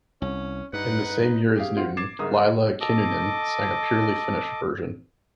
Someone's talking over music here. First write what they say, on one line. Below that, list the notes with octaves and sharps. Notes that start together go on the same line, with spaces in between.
In the same year as Newton, Laila Kinnunen sang a purely Finnish version.
C2 C#4
G2 D#4 B4 F#5
G4 G#4 F5
C4 F4 F#4
D6 G#6 A6 C7 E7
G1 G#2 A#4 D#6
A4 D#5 D6